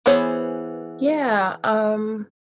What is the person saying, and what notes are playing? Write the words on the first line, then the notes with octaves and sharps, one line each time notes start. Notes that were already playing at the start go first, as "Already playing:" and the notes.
Yeah, um,
E3 B3 G#4 C5 C#5